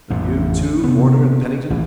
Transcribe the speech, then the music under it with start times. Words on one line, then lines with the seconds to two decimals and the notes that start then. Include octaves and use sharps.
"And you, too, Warner and Pennington?"
0.10 A1 F2 A2
0.84 C3 B3
1.70 A1 E3